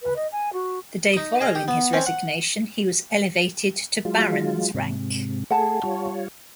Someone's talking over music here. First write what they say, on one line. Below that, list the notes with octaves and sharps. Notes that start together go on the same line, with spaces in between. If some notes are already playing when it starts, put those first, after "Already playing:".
The day following his resignation, he was elevated to barons' rank.
B4
D#5
G#5
F#4
D#4 D#6
G#4 D#5 F5
G4 D#6
B3
C4 C#4
F#5
F#3 G#3 F4
G#2 C3
A3 G#4 F#5 A5
G3 F4 C#5